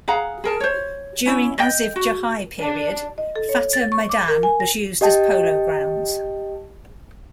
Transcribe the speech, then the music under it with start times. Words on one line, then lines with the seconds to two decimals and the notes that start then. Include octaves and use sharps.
During Asif Jahi period, Fateh Maidan was used as Polo Grounds.
0.08 G#4 F5 F#5 A#5
0.44 G#4 A#4 A5
0.60 C5 C#5
1.26 C#4 E4 C#5
1.58 D#5 G5
1.96 F#4
2.59 D4
3.18 D#5
3.36 A4
3.49 C#5
3.73 A6
3.92 C#6
4.09 D6
4.28 A#4
4.43 G#5
4.60 A#6
5.01 G4 D#5 G5 A5